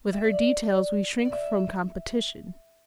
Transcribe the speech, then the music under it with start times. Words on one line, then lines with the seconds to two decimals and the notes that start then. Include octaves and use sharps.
With her details we shrink from competition.
0.13 E5
0.24 D5
1.25 D5
1.32 E5